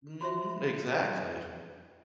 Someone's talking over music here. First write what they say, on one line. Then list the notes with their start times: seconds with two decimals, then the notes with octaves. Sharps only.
Mhm, exactly.
0.21 F4 F#4 C5 E5